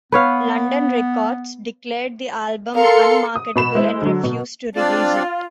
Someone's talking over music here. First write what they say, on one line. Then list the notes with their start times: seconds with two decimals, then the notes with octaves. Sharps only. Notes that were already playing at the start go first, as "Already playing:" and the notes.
London Records declared the album unmarketable and refused to release it.
0.12 B3 B4 C#5 F5
2.74 A4 A#4 F5 C6 C#7
3.36 D#6
3.56 B2 B5 E7
3.75 G#3 E4 C5
4.02 D3 F#3
4.24 B2
4.75 C4 D4 F4 D5